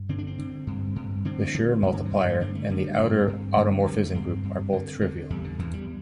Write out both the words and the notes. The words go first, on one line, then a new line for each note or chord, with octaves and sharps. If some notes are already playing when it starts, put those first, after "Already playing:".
The Schur multiplier and the outer automorphism group are both trivial.
Already playing: G2
D3 C4
D4
C4
D3
G2
G2
D3 C4
D3
G2
D3
E3
G2
G3
A3
D3 C4
A3
D3 A3
G3
G2 C4
G2
D3
E3
D3
G3
A3
G2 C4
G2
D3
D3
E2 G3
D3
E2 E3
G3